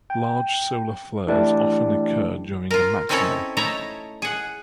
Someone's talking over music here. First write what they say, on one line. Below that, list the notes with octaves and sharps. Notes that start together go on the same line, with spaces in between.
Large solar flares often occur during a maximum.
G5
E3 A3 D4 E4 G4 D5
F4 A#4
C4 C#4 D#4 E4 A4 C#5
A3 D#4 E4 A4 C#5 A#5
G#4 F#5